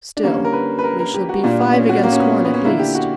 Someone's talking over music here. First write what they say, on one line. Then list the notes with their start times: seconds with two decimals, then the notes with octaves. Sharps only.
Still, we shall be five against one at least.
0.17 D4
0.23 D3 G3 A#3 C#4
0.45 A#4
0.53 B4
0.79 B4
0.84 A#4
0.99 A#4
1.14 G4
1.29 F#4
1.43 A#2 G3 A#3 D4
1.59 B3
1.74 C#4
1.89 F#4
2.03 A#3
2.12 C#4
2.20 B3
2.45 B3
2.54 C#4
2.65 D3 A#3 E4
2.79 G4
2.95 F#4